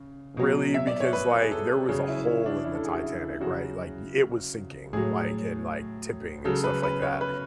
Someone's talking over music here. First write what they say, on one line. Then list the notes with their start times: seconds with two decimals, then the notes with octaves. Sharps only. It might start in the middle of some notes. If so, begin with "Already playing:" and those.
really, because, like, there was a hole in the Titanic, right? Like, it was sinking, like, and, like, tipping and stuff like that.
Already playing: C#3
0.37 B2 F#3
0.74 E5
0.87 D5
1.00 C#5
1.13 B4
1.43 G#4
1.51 A4
1.89 C#3 F#3 G#4
2.08 E4
2.27 C#4
2.46 D4
2.64 E4
2.75 A4
2.85 G#4
2.94 F#4
3.03 E4
3.41 C#3 F#3 F#4
4.93 A2 F#3 G#4
6.45 C#3 F#3 A4
6.64 B4
6.83 B4
7.02 C#5
7.21 B4